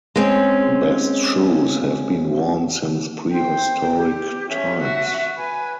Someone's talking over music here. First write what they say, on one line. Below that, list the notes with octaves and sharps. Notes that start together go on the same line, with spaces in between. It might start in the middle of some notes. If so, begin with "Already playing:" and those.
Bast shoes have been worn since prehistoric times.
G#3 C4 C#4
C5 G5
G4
C#4 E5
F#4
B4 G#5